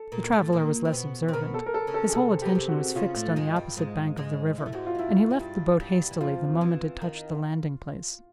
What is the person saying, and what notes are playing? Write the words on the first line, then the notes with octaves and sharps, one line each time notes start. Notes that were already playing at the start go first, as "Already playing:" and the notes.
The traveler was less observant; his whole attention was fixed on the opposite bank of the river, and he left the boat hastily the moment it touched the landing-place.
Already playing: A4
A#2 A#3
A2 A3
A#2 A#3
C4
B2 B3
C4
B2 B3 A#4
A4
A#4
A4
C#3 C#4
A4
G#4
C3 C4 A4
G4
B3
C3 C4
F#4
C#3 C#4 F4
A2 A3
G#2 G#3
G2 G3
G#2 G#3
G#2 G#3
G#3 E4
A3
G#2 G#3 F#4
F4
G#3
G2 G3 E4
G#3
G2 G3
G2 G3
E3
F2 F3 F4
E2 E3
D#3